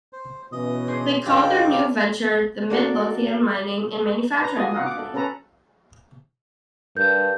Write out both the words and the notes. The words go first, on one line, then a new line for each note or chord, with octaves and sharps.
They called their new venture the Mid-Lothian Mining and Manufacturing Company.
C5
B2 E3 C#4 D#5 D#6
D4 G#4 C5
G2 C#3 F4 G4 G#4 B4 D#5 D6
A#3 D4 F#4 A4
D4 B4 A#5
F4 F#4 D#5 G#5
D#5 F5 F#5
D6
A4
C#4 A4 B4 A#5
G2 A#4 G6